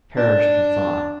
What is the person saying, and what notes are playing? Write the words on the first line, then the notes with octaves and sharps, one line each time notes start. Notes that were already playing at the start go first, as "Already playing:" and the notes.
Perish the thought!
D4